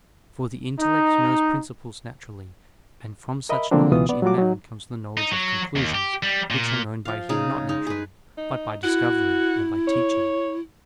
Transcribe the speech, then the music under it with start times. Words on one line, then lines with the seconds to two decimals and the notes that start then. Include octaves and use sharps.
For the intellect knows principles naturally; and from such knowledge in man comes the knowledge of conclusions, which are known by him not naturally, but by discovery, or by teaching.
0.79 D#4
3.49 A#4 D#5 E5 B5
3.71 D3 F3 F#3 A#3 C4 D4
3.92 C#2 B2 E3 B3 F4 D#6
4.09 B3 D5
4.22 F#3 G3 A3 F4 F#4 D6
4.38 F#3 D#4
5.17 D#4
5.31 F#3
5.76 D#2
5.95 G4
6.23 G3
6.51 A#2
7.05 F3 F5
7.29 C#3 D#4 G#4
7.69 G#3 D#4
7.87 G#4 B4
8.37 D#4
8.83 E4 F#4
9.88 C#5